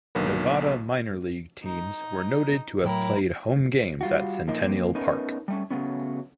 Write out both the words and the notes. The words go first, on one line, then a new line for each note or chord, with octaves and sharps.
Nevada minor league teams were noted to have played home games at Centennial Park.
B1 D3 D#3 F#3 A#3 B3
D#4
A2 F#3 E4 A#4 G5
G3 F4 F#4
A#2 F3 A#3 D#4
F2 A#2 A#3 C4
A3 B3 C#4 D#4 A#4 B4
G3 A3 C#4
C#3 E3 F#3 A3 B3 C#4